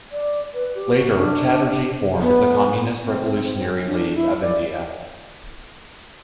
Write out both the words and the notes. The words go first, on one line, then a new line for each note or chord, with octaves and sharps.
Later Chatterjee formed the Communist Revolutionary League of India.
D5
B4
G4
F#4
D4
B3
C4
D4
E4
D5